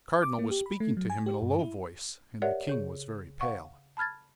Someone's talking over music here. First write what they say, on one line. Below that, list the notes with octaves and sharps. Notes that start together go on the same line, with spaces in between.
The cardinal was speaking to him in a low voice, and the king was very pale.
D6
A#3
G4
B5
A3
F#3
G#5
G4
G2
E4
G4 A#4 C#5 D5 E5 F#5
C#3 G#4 C#5
F5 F#5 C#6
A5 B5 F6 G#6 A6